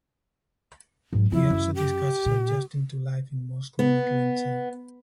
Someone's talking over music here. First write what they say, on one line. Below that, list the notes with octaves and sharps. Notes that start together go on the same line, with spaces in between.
He also discusses adjusting to life in Moscow with Lindsay.
G#2 F#3
F2 F3 E4
F#2
G4
A#2
B3